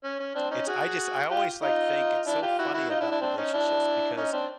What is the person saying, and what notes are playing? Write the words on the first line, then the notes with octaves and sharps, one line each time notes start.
it's I just I always, like, think it's so funny about relationships because
C#4
C#4
C4 D4
C#4 D#4
F#4 G#4
F4 G4
D#4 F4
D4 E4
F4 G4
E4 F#4
E4 F#4
D#4 F4
D4 E4
D4 E4
C4 D4
C#4 D#4
D4 E4
C#4 D#4
C4 D4